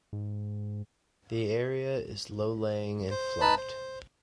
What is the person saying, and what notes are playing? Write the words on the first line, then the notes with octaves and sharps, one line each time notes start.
The area is low laying and flat.
G#2
C5
D#4 B4 A5 B5
C5